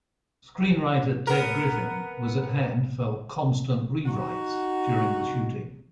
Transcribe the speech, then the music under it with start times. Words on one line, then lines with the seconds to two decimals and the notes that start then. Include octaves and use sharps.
Screenwriter Ted Griffin was at hand for "constant rewrites" during the shooting.
1.27 B3 A#4
4.05 D#4 F#4